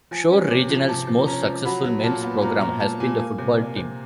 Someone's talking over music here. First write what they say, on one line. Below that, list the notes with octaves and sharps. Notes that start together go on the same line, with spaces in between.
Shore Regional's most successful men's program has been the football team.
F3 G#5
C#4
C3
F3
C3 A5
F3
C#4 A#5
F3
F#3 B5
F#3
A#2 A5
B3
A#2 A#5
A#2 A#5
A#2 A5
A#2 G#5
A#3
C3
A#3
C3